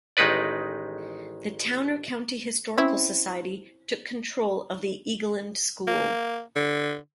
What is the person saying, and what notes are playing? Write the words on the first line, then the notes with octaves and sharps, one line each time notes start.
The Towner County Historical Society took control of the Egeland School.
A1 D#3 G#3 D#4 B4 D5
C4 C#4 E4
A#3
D3